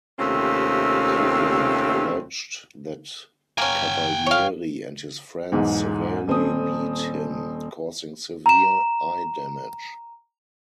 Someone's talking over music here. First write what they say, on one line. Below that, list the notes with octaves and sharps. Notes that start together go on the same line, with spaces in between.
Copeland alleged that Cavalieri and his "friends" severely beat him, causing severe eye damage.
D#2 C3 A3 C4 C#4 F4
A#3 C#4 G5 G#5
C#5 F5
B1 E2 G#2
D#1 C4 A4 D#6
A#5 E7